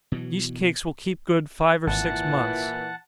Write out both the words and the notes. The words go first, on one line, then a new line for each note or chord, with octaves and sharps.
Yeast cakes will keep good five or six months.
B2 E3 F#3
G#1 A#2 E3 F#5 A5